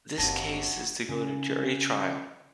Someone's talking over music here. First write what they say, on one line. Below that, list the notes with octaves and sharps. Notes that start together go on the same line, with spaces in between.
This case is to go to Jury trial.
F#1 D#2 C4 D4 F#4 A5 A#6 D#7
C#3